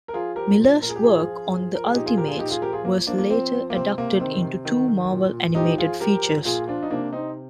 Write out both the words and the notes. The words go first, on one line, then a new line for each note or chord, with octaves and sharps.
Millar's work on "The Ultimates" was later adapted into two Marvel Animated Features.
A#4
F3 F4 G#4
F3 G4 A#4
A#2
A#2 A#4
G#4
G4
F3 F4 G#4
F3
F3
F3 A#4
G#4
A#2 D#4 G4
F4 G#4
F3 G4 A#4
F4 G#4
A#2 D#4 G4
F4 G#4
F3 G4 A#4
F4 G#4
F3 A#3
F3 A#3 D4
A#3
F3 C4
F3
A#3
C3 C4
C3 A#3
D#3 C4
C3
D#3
D#3
A#2
A#2
F3 D#4 G4
F3 F4 G#4
F3 G4 A#4
F3
A#2 F4 G#4
F3 D4 F4
D#4
C3 A#3 D4
C3 C4 D#4